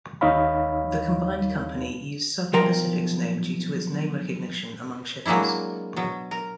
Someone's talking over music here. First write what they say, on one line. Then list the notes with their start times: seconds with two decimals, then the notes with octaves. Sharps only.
The combined company used Southern Pacific's name due to its name recognition among shippers.
0.21 D#2 D#4 C#5 F5 B5
2.53 B1 F3 A#4 G5 A#5
5.26 F#3 G#3 A#3 D4 E4
5.96 B2 F#3
6.31 A#4